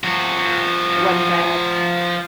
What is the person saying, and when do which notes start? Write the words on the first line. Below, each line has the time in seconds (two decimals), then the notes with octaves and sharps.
And it wasn't bad.
0.04 F3 F#4